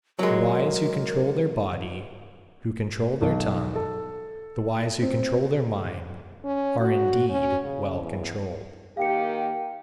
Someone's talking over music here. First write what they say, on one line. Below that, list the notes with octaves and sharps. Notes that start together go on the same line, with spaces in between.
The wise who control their body, who control their tongue, the wise who control their mind, are indeed well controlled.
F#3 G#3 A#4
B1
A4
C4
C#4
F#4
C#4
C#3
E2
D#3 A#3 G4 F5 G5 C#7